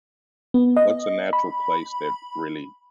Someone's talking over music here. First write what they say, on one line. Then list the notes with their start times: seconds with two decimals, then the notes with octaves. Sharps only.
What's a natural place that really
0.54 B3
0.76 D#5
1.33 B5